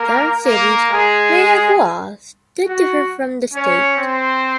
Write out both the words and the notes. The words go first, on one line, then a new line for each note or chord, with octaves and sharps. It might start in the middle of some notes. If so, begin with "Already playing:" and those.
Some cities may have laws that differ from the state.
Already playing: A#3 A#4
A#3 A#4
G#3 G#4
F#4
C#4 C#5
C4 C5